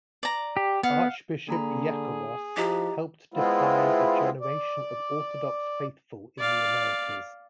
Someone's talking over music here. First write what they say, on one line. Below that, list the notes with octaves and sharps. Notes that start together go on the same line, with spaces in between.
Archbishop Iakovos helped define a generation of Orthodox faithful in the Americas.
D5 A#5
G4
B3 F5 F#5
D3 A#3 G#4 A#5 B5
F3 E4 G4 D#5 A#5
G#3 B3 C4 E4 F4
D5
D5 F5